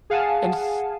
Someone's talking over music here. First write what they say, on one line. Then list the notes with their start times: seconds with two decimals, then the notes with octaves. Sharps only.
And s
0.10 G#4 F5 F#5 G#5 A5